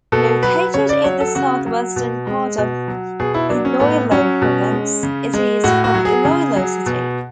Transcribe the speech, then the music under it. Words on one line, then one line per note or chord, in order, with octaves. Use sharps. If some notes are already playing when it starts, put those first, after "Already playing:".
Located in the southwestern part of Iloilo Province, it is from Iloilo City.
B2 A4
F#3 B4
C#3 C#5
D5
F#3 C#5
A4
C#3 F#4
F#3
B2
G#3
B2
F#3
B2 G#4
E4
F#3 D4
C#4
A2 B3
F#3 C#4
B2
G#3
C#3
G#3
A2 F#4
F#4
F#3
G#4
C#3
F#3
B2